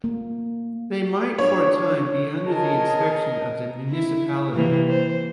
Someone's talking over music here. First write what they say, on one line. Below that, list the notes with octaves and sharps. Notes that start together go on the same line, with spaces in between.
They might for a time be under the inspection of the municipality.
A#3
D4 C#5
G#4 A#4 D#5 A5
E4
C3 E3 A#3
C5